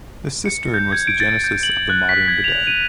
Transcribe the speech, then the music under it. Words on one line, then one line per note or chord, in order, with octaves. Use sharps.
The cistern was the genesis of the modern bidet.
C#7
G6
G#6
D7
A6
G6
F#7
F#6
B6
G#6
F7
D#7